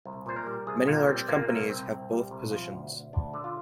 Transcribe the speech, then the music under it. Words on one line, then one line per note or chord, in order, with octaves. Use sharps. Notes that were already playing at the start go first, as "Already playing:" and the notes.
Many large companies have both positions.
C2
A#2 C5
A#4
G3
C2 G#4
A#2 A#3
G3 C4
A#2 A#3
C2 A#3
C2 C4
C2
G3
C2
F3
D2
D2
D2 D4
D3
F4